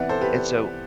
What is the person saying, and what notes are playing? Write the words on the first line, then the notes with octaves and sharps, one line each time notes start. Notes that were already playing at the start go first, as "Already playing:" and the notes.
and so,
Already playing: C3 E3 B3 E4 D5 F#5
A4 C5
G4 B4